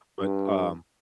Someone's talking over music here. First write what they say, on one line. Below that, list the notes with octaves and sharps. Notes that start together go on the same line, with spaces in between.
But, um,
G2